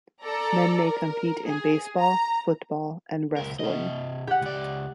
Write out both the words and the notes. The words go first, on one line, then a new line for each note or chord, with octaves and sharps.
Men may compete in baseball, football, and wrestling.
A4 D5 A#5
A#4
G#4
A#5
C#2 A#4
C3 D#5
G4 F#5
C#2 D5